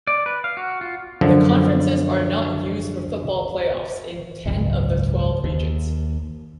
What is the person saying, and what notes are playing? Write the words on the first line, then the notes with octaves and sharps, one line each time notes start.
The conferences are not used for football playoffs in ten of the twelve regions.
D5
B4
F5
F#4
F4
F#2 D3 F3
G#1 C#2 F#2
D#2